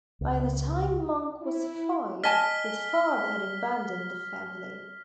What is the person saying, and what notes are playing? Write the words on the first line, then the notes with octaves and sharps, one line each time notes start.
By the time Monk was five, his father had abandoned the family.
C#2
E4
D#5 G#5 A5 F6 B6 G7